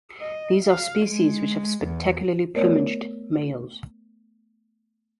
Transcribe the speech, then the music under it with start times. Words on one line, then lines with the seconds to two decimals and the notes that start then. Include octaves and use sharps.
These are species which have spectacularly plumaged males.
0.20 D#5
0.65 F5
1.07 G#3
1.85 E2
2.55 A3 B3 A#4 C#5 D5